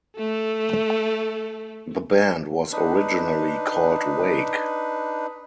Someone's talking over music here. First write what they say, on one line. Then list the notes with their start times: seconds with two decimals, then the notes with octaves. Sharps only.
The band was originally called Wake.
0.16 A3 A4
2.72 D4 D#4 B4